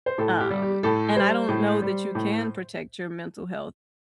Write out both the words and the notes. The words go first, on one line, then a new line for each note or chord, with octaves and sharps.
um, and I don't know that you can protect your mental health
C5
A2 A4
G4
G3
G4
A2 A4
G3 C5
A2
G3
A2